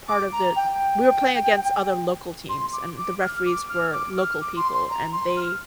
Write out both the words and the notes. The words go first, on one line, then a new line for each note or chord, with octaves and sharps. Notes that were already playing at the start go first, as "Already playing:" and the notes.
part of the We were playing against other local teams, and the referees were local people, and they
D6
A#5
G5
C6
D6
D6
F6
D6
F6
D6
F6
D6
C6
C6
A#5
C6
F6